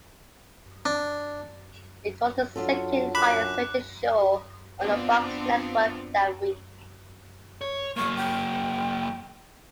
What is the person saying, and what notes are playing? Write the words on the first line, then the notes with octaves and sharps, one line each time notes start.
It was the second highest rated show on the Fox network that week.
D4
F#3 D4 F4 A4
F#2 B5 D6 F#6
B3 C4 D4 F4
C#5
F#3 A#3 C#6
G5